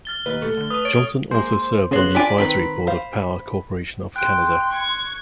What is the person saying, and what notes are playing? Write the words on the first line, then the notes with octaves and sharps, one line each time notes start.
Johnson also served on the advisory board of Power Corporation of Canada.
F6 A6 G7
D#2 B4
A3
D3
B4 D#6 D#7
C#5 A6 D7
G#3 A#3 C5
C#3 B3 F#4 C#5 C6 F#6
D4 F4 G#5 B5 D6
D#3 C4 B4 B5
C5 F5
G5 C6 F#6 D7
C#6 G#6